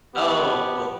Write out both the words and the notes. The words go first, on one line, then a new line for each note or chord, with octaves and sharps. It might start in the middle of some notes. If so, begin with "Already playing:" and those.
Oh, cool.
F3 B3 G4